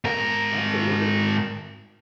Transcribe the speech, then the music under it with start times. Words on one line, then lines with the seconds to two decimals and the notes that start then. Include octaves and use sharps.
Okay, what are
0.05 G#2 A#4